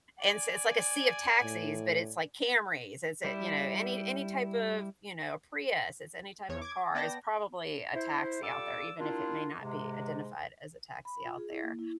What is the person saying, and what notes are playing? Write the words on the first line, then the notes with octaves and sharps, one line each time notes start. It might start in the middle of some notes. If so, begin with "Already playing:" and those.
and so it's, like, a sea of taxis, but it's like Camrys, is is it, you know, any any type of, you know, Prius, it's any type of car. It's probably a taxi out there even if it may not be identified as a taxi out there.
D5 G#5
A2
G3 E4
E2 C#5 G#6
D6 G#6
B3 D5 G5 A5 A#6
E4 C5
G3 F4 A4 D5 D6 E6
G3 A#3 D4 E4 F4
G#2 C3 G#3
B5
F4
G#4
E4
A#3
E4